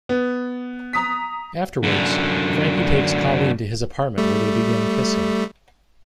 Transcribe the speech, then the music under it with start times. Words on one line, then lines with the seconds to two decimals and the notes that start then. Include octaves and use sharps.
Afterwards, Frankie takes Colleen to his apartment where they begin kissing.
0.09 B3
0.93 A#5 D#6 B6
1.83 F#2 D3
4.18 G3 A3